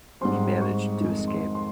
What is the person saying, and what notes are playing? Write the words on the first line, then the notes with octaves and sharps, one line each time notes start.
He managed to escape.
G#2 G3 C4 C6
C#6
F2 D#3 G#3
C6
C6